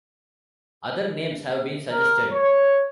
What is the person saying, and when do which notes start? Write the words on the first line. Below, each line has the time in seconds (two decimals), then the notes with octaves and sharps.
Other names have been suggested.
1.91 A#4
2.31 C#5